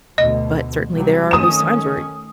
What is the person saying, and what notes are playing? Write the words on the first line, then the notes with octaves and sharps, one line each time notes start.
but certainly there are those times where
D2 B2 D#5
C3 F#3 G3
D#3 A3 C#4 D#6 E7